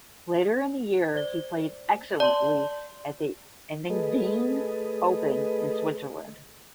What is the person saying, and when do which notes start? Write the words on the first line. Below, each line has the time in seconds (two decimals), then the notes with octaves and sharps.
Later in the year he played excellently at the Engadine Open in Switzerland.
1.14 C5 D5 G7
2.20 D5 A5 C6 F#7
3.90 A3 G#4 A4 B4 D#5